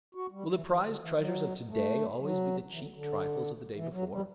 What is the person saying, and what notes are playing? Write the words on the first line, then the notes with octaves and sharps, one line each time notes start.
Will the prized treasures of to-day always be the cheap trifles of the day before?
F#4
G3
E3
E3
D3
E3
F#3
A3
F#3
E3
D3
D3
E3
F#3
G3